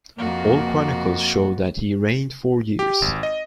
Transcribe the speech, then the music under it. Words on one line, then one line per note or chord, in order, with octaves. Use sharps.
All chronicles show that he reigned four years.
F2 A#3 F#4
G4
G#1
D#5